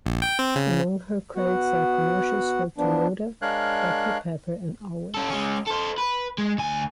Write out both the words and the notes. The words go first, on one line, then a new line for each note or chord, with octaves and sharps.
Among her credits are commercials for Toyota, Doctor Pepper, and Always.
A#1
G5
C4
C#3
B3 F#4 F#5
F3 B3 D4
G#3 D4 A#4 C#5 F5 F#6
C#4 A4
G#3 C#4
A4 C5
B4
G#3
D2 G#5